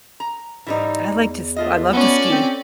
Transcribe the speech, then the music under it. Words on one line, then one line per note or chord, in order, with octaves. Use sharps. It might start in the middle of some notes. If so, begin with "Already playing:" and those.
I like to s I love to ski.
A#5
G#2 E3 G3 D#4
E2
A3 F4 D#5
B3 C#4 D5
C4